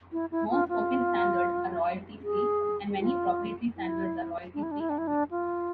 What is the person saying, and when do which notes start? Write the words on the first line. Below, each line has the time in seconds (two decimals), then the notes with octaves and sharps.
Most open standards are royalty-free, and many proprietary standards are royalty-free as well.
0.12 E4
0.31 E4
0.50 F4
0.69 F4
2.23 G#4
3.00 F4
3.77 E4
4.54 D4
4.63 E4
4.71 D4
4.80 E4
4.89 D4
4.98 E4
5.07 D4
5.31 F4